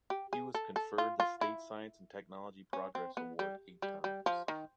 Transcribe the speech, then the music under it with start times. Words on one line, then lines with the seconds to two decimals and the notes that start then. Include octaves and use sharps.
He was conferred the State Science and Technology Progress Award eight times.
0.10 G4
0.33 G#4
0.55 A4
0.76 A4
0.98 F4
1.20 F4
1.41 E4
2.73 C#4
2.95 C4
3.17 B3
3.39 G3
3.82 G3
4.04 G3
4.26 F3
4.48 D#3